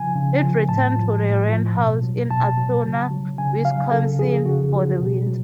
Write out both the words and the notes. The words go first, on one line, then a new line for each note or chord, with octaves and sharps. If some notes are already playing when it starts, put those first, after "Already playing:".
It returned to the roundhouse in Altoona, Wisconsin, for the winter.
Already playing: C#3 F3 G#5
C#3
F3
A2 A5
F3
A2
F3
B2
F#3
B2 A5
F#3
C#3
F#3
C#3 G#5
F#3 F5
C#3 A4
F3 G#4
C#3 F#4
F3
B2
F#3